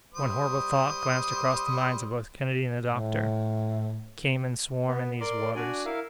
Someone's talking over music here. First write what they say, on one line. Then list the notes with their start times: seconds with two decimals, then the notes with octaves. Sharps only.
One horrible thought glanced across the minds of both Kennedy and the doctor: caymans swarm in these waters!
0.14 G3 C5 D#6
2.90 A2
4.88 B3
5.21 A#4 D5 C6 D6
5.55 D4 F#4 D5 G#5
5.85 E4 A#4 E5 F5